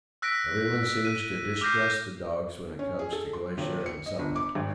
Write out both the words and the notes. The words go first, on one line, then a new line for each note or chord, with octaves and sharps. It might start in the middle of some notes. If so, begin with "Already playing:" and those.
Everyone seems to distrust the dogs when it comes to glacier and summit.
E6 F#6 A#6 B6 D7
F#6 D#7
D6 F6 G6 A#6 C7
C#4
G#4
A4
C6
D#1
C#7
D#5
G1
D6
G#1